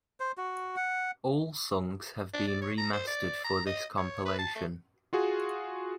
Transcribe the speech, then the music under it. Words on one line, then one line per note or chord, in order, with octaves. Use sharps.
All songs have been remastered for this compilation.
C5
F#4
F#5
D4
D5
C#5
A#5
C5
D5
A#5
D#5
C#5
B4
A5
A3
F4 F#4 G#4